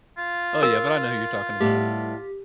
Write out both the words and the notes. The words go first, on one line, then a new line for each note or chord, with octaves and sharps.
Oh, yeah, but I know who you're talking about.
F4
A#4
A2 G3 B3 G4